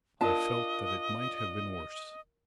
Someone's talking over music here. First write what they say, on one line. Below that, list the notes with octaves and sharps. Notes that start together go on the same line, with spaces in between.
I felt that it might have been worse.
D4 F4 A#4 D#5 F5 A5